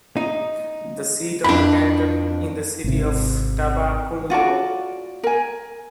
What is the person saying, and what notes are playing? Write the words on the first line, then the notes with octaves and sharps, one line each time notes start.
The seat of the canton is the city of Tabacundo.
D#4
F2 C4 D4 E4 B5
G#1 C3
F4 F#4 D5 A5
A#4 G#5